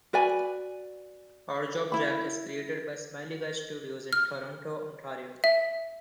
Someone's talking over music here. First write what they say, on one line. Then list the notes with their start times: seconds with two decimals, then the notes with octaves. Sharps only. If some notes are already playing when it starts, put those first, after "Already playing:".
Odd Job Jack is created by Smiley Guy Studios in Toronto, Ontario.
0.13 F#4 B4 D5 G#5
1.92 E4 B5
4.13 F6
5.44 E5